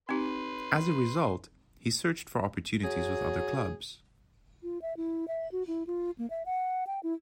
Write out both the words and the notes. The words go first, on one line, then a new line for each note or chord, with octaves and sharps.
As a result, he searched for opportunities with other clubs.
C4 D#4 G4 B4 C6
F#3 G#4
F4
E5
E4
E5
F#4
E4
F4
A#3
E5
F#5
G5
E4